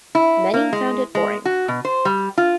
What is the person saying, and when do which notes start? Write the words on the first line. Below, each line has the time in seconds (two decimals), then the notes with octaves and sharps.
Many found it boring.
0.15 E4
0.54 A#3
0.73 G#3
1.15 G#3
1.45 F#4
1.68 B2
1.85 C5
2.05 G3
2.38 F4